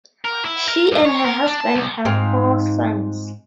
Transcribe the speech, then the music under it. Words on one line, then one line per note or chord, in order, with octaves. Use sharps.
She and her husband have four sons.
A#4
E4
A#4
G2
C#5
A#4
D4
A5
C2
G#2 C4 F4